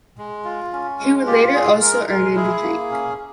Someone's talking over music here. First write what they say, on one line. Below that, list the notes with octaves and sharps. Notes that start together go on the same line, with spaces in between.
He would later also earn an degree.
G#3
F4
C#4
G#3
F4 G4
G#3 G#4
G#3 A#4
G#3 A#4
E4 G#4
A#3
C#4